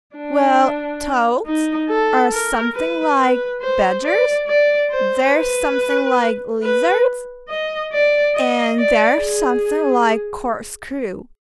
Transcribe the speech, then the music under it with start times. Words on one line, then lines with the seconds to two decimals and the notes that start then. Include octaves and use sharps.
'Well, "TOVES" are something like badgers--they're something like lizards--and they're something like corkscrews.'
0.16 D4
1.46 D#4
1.89 A4
2.32 A#4
2.75 B4
3.18 B4
3.61 C5
4.04 D5
4.47 D5
4.91 C5
5.33 B4
6.63 B4
7.49 D#5
7.92 D5
8.35 D#5
8.79 D5
9.21 G#4